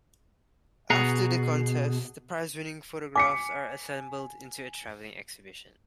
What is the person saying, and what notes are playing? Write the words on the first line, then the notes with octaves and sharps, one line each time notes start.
After the contest, the prizewinning photographs are assembled into a travelling exhibition.
B2 G#4 F#5 A#5
G#5 D6 B6 C#7